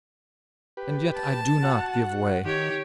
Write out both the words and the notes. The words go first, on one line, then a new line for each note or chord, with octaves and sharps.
And yet I do not give way.'
G4 B4
A5
F#4 F#5
D#3 G4 C#5